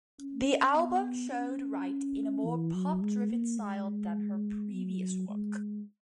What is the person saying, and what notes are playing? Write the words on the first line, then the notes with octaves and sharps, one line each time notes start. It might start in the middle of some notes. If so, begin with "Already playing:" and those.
The album showed Wright in a more pop-driven styled than her previous work.
C#4
B3
C#4
E3
F#3
G#3
A#3
G#3
F#3
G#3